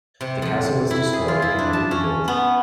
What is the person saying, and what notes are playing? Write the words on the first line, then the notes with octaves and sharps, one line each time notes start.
The castle was destroyed and never rebuilt.
C3
F2
E4
G#4
F4
E4
D4
A5
C#4
B3